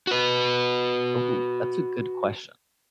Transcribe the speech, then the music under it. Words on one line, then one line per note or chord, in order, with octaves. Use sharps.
Ooh, that's a good question.
F#4 B4